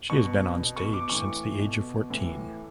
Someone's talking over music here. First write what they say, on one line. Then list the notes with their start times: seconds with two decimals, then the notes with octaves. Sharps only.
She has been on stage since the age of fourteen.
0.10 B2 C#6
0.59 B2
0.77 C#6
0.93 D6
1.10 A2 E3 C#6
1.59 B2
2.10 A2 E3